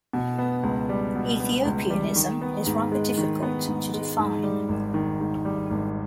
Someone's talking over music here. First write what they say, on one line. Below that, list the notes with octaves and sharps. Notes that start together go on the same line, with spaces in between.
Ethiopianism is rather difficult to define.
B2
B3
C#2
G3
B2
B3
C#2
G3
D#3
B3
G#2
G#3
D#3
B3
G#2
G#3
G#2
G3
G#1
D#3
G#2
G3
G#1